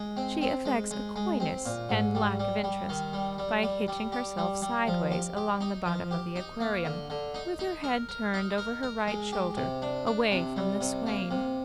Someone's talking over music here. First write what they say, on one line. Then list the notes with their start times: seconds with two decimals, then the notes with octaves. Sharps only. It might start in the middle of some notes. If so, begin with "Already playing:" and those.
She affects a coyness and lack of interest, by hitching herself sideways along the bottom of the aquarium, with her head turned over her right shoulder away from the swain.
Already playing: G#3
0.17 C4
0.41 C4
0.65 G#3
0.91 G#3
1.16 G#3
1.40 C4
1.66 A#2
1.89 G#2
2.15 G3
2.40 G3
2.64 G3
2.89 D#3
3.13 G3
3.38 G3
3.63 G3
3.88 G3
4.12 G4
4.38 G3
4.62 G3
4.87 F3
5.11 G4
5.37 G4
5.61 D#4
5.86 F3
6.11 G4
6.36 D#4
6.60 A#3
6.85 D3
7.10 D3
7.34 D#4
7.59 D#4
7.84 A#4
8.09 A#4
8.34 D#4
8.58 A#4
8.83 A#4
9.08 G#3
9.32 G4
9.57 C3
9.82 D4
10.07 D4
10.32 C3
10.56 G3
10.81 C3
11.06 A#3
11.31 C3